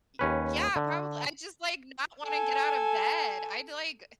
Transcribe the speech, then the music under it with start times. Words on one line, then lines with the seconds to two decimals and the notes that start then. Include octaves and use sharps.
Y yeah, probably. I just, like, not wanna get out of bed. I'd, like,
0.19 D#2 C#4 B4
0.76 D3
2.25 A4 G#5